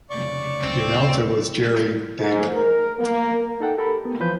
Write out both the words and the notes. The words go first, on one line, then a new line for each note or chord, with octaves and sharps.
The announcer was Jerry Damon.
F1 C#3 D5 C#6
D2 C4
G#2
A#4
A#3
D#4 A4 F#5 G5
G4 A4 A#4 B5
B3
E3 F3 B4 C5 G6